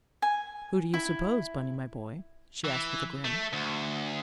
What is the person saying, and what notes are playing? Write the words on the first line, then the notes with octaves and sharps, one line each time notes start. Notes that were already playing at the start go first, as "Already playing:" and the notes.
"Who do you suppose, Bunny, my boy?" she asked with a grin.
G#5
E4
E3
A3
D2